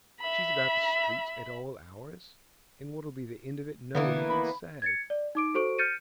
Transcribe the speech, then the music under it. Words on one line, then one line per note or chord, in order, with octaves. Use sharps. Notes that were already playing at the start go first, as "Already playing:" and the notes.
She's about the streets at all hours, and what'll be the end of it no one can say.
E5 B5
D3 E3 A#3 B3
B5
G#6 A6 C#7
D5
D#4 D6 D7
F#4 A4 C5 C#6 D7
F6 G6 A6 C#7 D#7